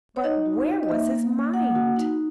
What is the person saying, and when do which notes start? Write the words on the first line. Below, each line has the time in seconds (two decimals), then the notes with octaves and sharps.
But where was his mind?
0.16 C#5
0.24 D#4 D#5
0.46 F#4
0.67 D#4
0.83 D#5
0.88 A#3 E5
1.10 A#3
1.32 A#3
1.54 A#3 F#5
1.75 F#4
1.97 D#4